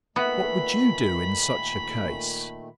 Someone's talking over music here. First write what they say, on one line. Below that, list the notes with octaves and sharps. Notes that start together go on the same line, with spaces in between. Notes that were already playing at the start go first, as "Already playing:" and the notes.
What would you do in such a case?
A#2 D#3 A3 B3 B4 E5 F#5 B5